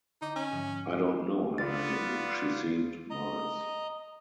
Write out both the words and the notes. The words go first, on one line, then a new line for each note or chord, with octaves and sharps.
I don’t know her name. She seemed nice.
D3 D#4 D#5 D6
C#4
G#2 D3 F3
B3 F4 D5 F5 A6
D#5 A#5